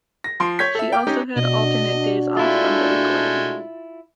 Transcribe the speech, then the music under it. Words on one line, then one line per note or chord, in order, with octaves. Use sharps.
She also had alternate days off from the recording.
A#6
F3 C6 D7
C#5 G6 G#6 B6
A4 E5
G5 D6
C#4 D#4 G4
B2 D4 F#4 D#5
G#3 A3 E4 F4